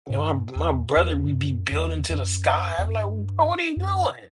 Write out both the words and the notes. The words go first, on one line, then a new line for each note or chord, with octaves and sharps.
You know, m my brother would be building in to the sky. I'd be like, "Bro, what are you doing?"
A2
G2
E2
E2
G2
F#2
F#2
E2
E2
F#2
E2
F#2
G2
F#2